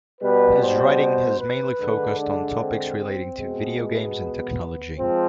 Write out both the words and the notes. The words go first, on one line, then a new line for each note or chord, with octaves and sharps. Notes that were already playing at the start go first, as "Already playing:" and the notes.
His writing has mainly focused on topics relating to video games and technology.
B2 G3 B4
C5
B4
D3 G#3
D4
C4
C4
B2 G#3
B3
F3 G#3 C4